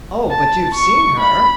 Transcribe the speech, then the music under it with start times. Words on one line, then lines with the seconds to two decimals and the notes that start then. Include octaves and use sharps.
"Oh, but you've seen her."
0.30 A5
0.75 C#6
1.20 B5